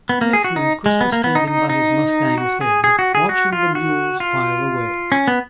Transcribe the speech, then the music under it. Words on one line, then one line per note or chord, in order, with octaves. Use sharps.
The next minute Chris was standing by his mustang's head, watching the mules file away.
B3
A#3
G#4
F#4
D#4
G#3
B3
A#3
B3
D#4
D#4
D#4
F#4
G#4
G#4
F#4
G#4
F#4
F4
F#4
F4
C#4
B3